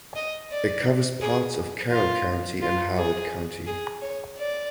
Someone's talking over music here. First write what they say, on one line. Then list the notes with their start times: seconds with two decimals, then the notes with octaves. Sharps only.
It covers parts of Carroll County and Howard County.
0.16 D#5
0.51 D5
1.21 G#4
1.91 F4
2.62 F4
2.98 G#4
3.67 G#4
4.02 C#5
4.38 D5